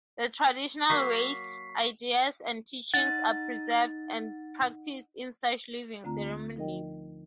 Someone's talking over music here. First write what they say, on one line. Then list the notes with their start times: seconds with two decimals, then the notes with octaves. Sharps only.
The traditional ways, ideas, and teachings are preserved and practiced in such living ceremonies.
0.89 F#3 A#3 C#6 B6 C7
2.94 D#4 F#5 A6
6.04 D2 D3 A3 C4 F4 A#5
6.56 F3 D#4 A#4 D#5 G5